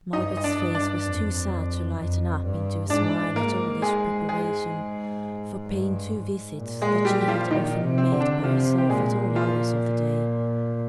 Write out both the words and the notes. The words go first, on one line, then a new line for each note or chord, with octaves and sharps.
Margaret's face was too sad to lighten up into a smile at all this preparation for paying two visits, that she had often made by herself at all hours of the day.
G2 D#4 D#5
D#5
D4 D5
G2
D4 D5
F2
F2
G2
G#2 D4 D5
G#2 A#3 A#4
G#3 G#4
G#3 G#4
G2
G#2
A#2
G#3 G#4
G3 G4
G4
F3 F4
A#2 D#3 D#4
C3
C4
D3
D4
C3 F3 F4
G4
A#2 G#3 G#4
F3 F4